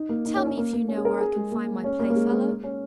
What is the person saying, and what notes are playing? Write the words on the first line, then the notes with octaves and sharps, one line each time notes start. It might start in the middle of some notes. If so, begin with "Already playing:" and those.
"Tell me if you know where I can find my playfellow."
Already playing: D#4
A#3
D#4
C#4
C#4
A#3
A#3
C#4
G#4
A#4
G#4
G#3
A#3
C#4
A#3
A#3
G#3
G#3
C#4